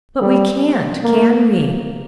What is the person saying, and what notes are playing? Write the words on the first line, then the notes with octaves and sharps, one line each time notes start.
"But we can't,--can we?"
G3
A#3